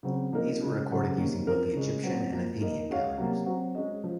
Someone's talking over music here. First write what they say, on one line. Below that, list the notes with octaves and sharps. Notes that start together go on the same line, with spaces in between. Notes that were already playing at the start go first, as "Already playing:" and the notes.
These were recorded using both the Egyptian and Athenian calendars.
C#3 F#3 C4
F3 A#3 D#4 A#4
C#3 G#3 C#4
C#3 F#3 C#4 F#4 C5
C3 D#3 A#3 C#4
F3 C4 F4 A#4
C#3 G#3 C#4 G#4
F#3 C4 F#4
F3 A#3 F4
A#3 D#4 A#4 D#5
G#3 C#4 F#4 C#5 F5
C3 F#3 A#3
F#3 C4 F#4
G#3 C#4 G#4 D#5
F3